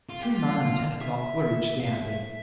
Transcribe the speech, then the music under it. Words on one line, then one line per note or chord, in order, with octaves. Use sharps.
Between nine and ten o'clock we reached the Abbey.
F4
G4
F4
E5
F5
E5